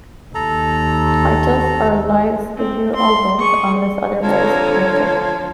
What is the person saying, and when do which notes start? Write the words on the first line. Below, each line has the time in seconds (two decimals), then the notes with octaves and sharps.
Titles are live studio albums unless otherwise noted.
0.35 D#2 A4 A#5
2.57 C4
2.95 C6
3.39 G#4 C#6
4.23 D3 F3 C4 C#5 A#5 G#6